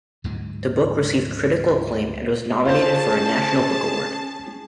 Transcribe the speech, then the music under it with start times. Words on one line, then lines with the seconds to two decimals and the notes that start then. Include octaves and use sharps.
The book received critical acclaim and was nominated for a National Book Award.
0.24 D2 G#2 D3 F#3
2.65 C#4 F4 G#4 C5 A5